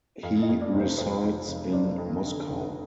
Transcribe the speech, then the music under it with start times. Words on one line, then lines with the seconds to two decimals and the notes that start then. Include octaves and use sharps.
He resides in Moscow.
0.23 F2 F5
0.42 D#5
0.49 F2
0.61 D5
0.73 F1
0.80 C5
0.98 F2 C5
1.23 F2
1.48 F1
1.73 F1 D5
1.98 F2
2.23 D3
2.48 F1